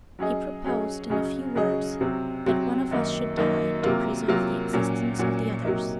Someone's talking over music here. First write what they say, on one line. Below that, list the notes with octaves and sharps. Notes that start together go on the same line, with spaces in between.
He proposed, in a few words, that one of us should die to preserve the existence of the others.
F#3 C#4 G#4 D#5
F#3 C#4 G#4 D#5
C#3 F#3 C#4 G#4 D#5
C#3 F#3 C#4 G#4 D#5
C3 F#3 C4
C3 F#3 C4
F#2 D#3 A#3 D#4
F#2 D#3 A#3 D#4
C3 F#3 A#3 F4 A#4
C3 F#3 A#3 F4 A#4
A#2 F#3 C#4 F#4
A#2 F#3 C#4 F#4
C3 F#3 A#3 D#4